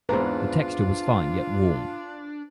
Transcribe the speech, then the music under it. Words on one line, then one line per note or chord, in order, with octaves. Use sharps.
The texture was fine yet warm.
E2 G#2 D4 F4 B4 C5 A#5